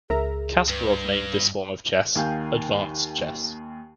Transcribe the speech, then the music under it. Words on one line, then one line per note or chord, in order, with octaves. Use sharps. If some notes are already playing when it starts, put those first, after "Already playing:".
Kasparov named this form of chess "Advanced Chess".
C#2 G#4 A#4 E5 A#5
G2 B4
D#2 D#3 F5 G#5 G6